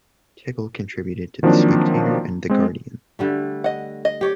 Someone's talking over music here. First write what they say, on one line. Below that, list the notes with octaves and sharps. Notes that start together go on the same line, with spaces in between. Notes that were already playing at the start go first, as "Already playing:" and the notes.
Tickell contributed to "The Spectator" and "The Guardian".
D#3 F3 F#3 A#3 C4 D4
G#3 C4
D3 G3 A3
D#5 F#5
D#5
G4 C#5 D5